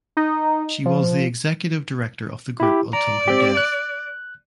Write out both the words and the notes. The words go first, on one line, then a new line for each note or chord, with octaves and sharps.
She was the executive director of the group until her death.
D#4
F3
E4 G4
D5 A#5
C4 G4
F#6